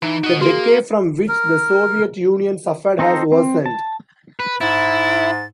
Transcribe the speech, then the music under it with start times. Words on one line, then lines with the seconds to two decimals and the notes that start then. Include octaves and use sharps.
The decay from which the Soviet Union suffered has worsened.
0.03 E3 D#4 A#5
0.24 F#4 D#5
0.41 A#3 F#4 G#4
1.28 A#4
2.99 C4 D#4 A4 C5 A#5
3.32 C4
3.66 A5
4.40 B4
4.61 G#2 E4 A6